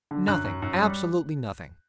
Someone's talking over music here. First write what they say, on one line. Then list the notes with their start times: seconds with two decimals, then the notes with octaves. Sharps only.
Nothing--absolutely nothing.
0.11 D3
0.27 F#2 F#6
0.44 F#2
0.62 F#2
0.78 G3